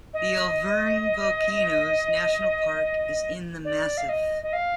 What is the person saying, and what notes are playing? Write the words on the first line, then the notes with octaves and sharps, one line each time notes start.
The Auvergne Volcanoes National Park is in the massif.
D#5
D5
F5
D#5
D#5
F5